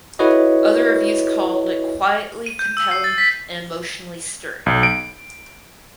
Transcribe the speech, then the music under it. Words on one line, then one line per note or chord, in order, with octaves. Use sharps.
Other reviews called it "quietly compelling" and "emotionally stirring".
E4 F#4 A4 B4 C#5 D#5
D#7
G6
E6
C7
A6
B6
B1
D7